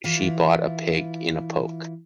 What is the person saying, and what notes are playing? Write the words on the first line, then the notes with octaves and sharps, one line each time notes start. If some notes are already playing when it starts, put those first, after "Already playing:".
She bought a pig in a poke.
E3 E4 F4